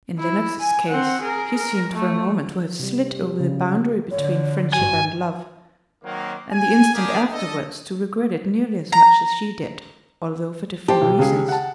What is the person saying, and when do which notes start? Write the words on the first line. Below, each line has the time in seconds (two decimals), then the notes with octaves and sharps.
In Lennox's case, he seemed for a moment to have slid over the boundary between friendship and love; and the instant afterwards, to regret it nearly as much as she did, although for different reasons.
0.19 E4
0.60 G#5
0.89 C4 F#5
1.21 G#4 A#4
1.58 A#4
1.92 A3
2.79 C3 G3
3.19 G3
3.40 C#3
4.11 D3 C#5
4.73 G#1 G2 F#4 G#5
6.04 D#3 F#3 A#3 C4
6.51 G#5
6.94 D3 A#3 G4 G#4
7.31 D4 A4 D#5
8.92 A#5
10.88 G4 C5 A5
11.01 B1
11.19 C#2 C#3 G#4
11.48 F#5 A5